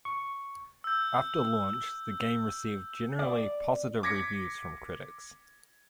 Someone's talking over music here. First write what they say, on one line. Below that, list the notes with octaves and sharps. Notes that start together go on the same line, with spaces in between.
After launch, the game received generally positive reviews from critics.
C#6
E6 G6
D5
D6 G#6 A#6 B6 C#7